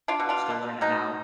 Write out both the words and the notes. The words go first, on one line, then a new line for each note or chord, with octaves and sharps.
Still learn it now.
D4 F4
B2
D4 F4
B2
B2 D#4